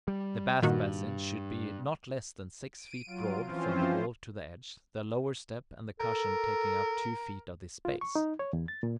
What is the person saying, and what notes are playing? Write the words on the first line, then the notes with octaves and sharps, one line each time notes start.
The bath basin should be not less than six feet broad from the wall to the edge, the lower step and the "cushion" taking up two feet of this space.
G3
G2 A#2 D#3 F#4
D7 D#7
F#3 F4
E3 F3 C4 C#4 F4 C5
A4 A#4
F4
C#6
D#4
C#5
E2
A6
A#2